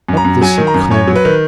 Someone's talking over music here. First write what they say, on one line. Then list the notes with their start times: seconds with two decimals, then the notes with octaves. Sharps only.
Up this he clambered.
0.09 F#2
0.17 A#5
0.25 F#2
0.42 F#3 G#5
0.58 D#3
0.67 A#5
0.74 F#2
0.91 F#2 C#5
1.08 F#3
1.16 B4
1.25 D#3